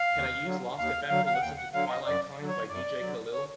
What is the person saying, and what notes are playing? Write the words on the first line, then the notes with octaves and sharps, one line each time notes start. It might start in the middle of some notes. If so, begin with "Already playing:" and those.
Can i use Lastfm to listen to Twilight Time by Dj Khalil?
Already playing: F5
D#2
D3 F#3
D#2 F5
D3 F#3 F5
F5
F#5
D#2 G5
F#5
D3 F#3 F5
D#5
F#2 D5
D3 F#3
C#5
F#2 D5
D3 F#3
C#5